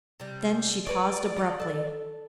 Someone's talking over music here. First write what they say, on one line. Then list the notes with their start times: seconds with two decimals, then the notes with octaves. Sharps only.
Then she paused abruptly.
0.20 C3 G3
0.87 F#4 B4 C#5 D5
1.37 D#4
1.60 A4